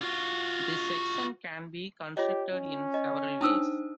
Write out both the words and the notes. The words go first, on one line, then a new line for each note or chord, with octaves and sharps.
This section can be constructed in several ways.
F4 F#4
F4 G4 C#5 D#5
C#4
D#5
D4 D#4 C5 A5 D#6 E6